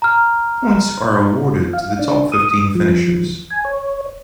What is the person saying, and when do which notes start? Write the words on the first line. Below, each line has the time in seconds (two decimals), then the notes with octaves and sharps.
Points are awarded to the top fifteen finishers.
0.02 A#5 F6
1.73 F5
1.99 D4
2.32 D#6
2.75 F3
3.51 G#5
3.65 C#5